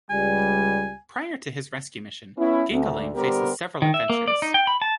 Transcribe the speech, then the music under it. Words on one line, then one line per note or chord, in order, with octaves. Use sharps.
Prior to his rescue mission, Gingalain faces several adventures.
C#2 G3 G#5
B3 C#4 E4
D2
D3 G3 B3 G4 A#4 C5
D#3
E5
A#3
D5
D#4
G5
B5
A5